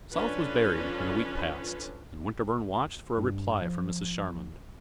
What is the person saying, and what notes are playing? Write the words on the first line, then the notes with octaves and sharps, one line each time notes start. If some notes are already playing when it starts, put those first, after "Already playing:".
South was buried, and a week passed, and Winterborne watched for a reply from Mrs. Charmond.
F3 C#4 D4 F4 A4 B4
G2
F3